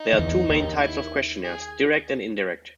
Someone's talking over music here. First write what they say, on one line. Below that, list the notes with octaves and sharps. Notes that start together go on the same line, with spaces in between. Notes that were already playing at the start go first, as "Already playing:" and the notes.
There are two main types of questionnaires; direct and indirect.
Already playing: D#4
D#3
E2 E3
D#2 D#3
E4
G#4